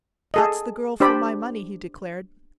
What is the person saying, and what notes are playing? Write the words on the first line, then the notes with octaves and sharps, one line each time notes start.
"That's the girl for my money," he declared.
G#4 A4 D#5
D4 G4 C5 D5 B5